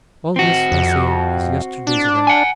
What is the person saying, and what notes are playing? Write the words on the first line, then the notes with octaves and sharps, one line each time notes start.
All this, I say, is yesterday's event.
C4 F#4
F2
D4
F#5 G#5